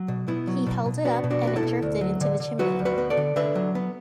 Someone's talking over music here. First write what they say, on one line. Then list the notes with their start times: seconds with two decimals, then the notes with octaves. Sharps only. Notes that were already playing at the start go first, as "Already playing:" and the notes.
He held it up, and it drifted into the chimney.
Already playing: F#3
0.08 B2
0.28 B2 B3 E4
0.47 F#3
0.66 B2
0.86 B2
1.05 B3 D4 F#4
1.24 B2
1.30 D4 F#4
1.43 B3 F#4
1.56 E4 A4
1.63 B2
1.82 D2
2.01 F#3
2.21 D3
2.40 D3
2.59 F#3 F#4 B4
2.79 D2
2.85 F#4 B4
2.98 B3
3.10 A4 D5
3.17 D3
3.36 D3 B4 E5
3.55 F#3
3.75 B3